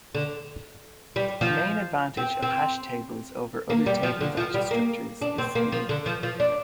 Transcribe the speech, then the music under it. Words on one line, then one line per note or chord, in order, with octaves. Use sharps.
The main advantage of hash tables over other table data structures is speed.
D3
G3
F3
C4
C4
A#3
G3
F3
D3
F3
G3
A#3
D4
C4
A#3
F3
D3
F3
F3
D4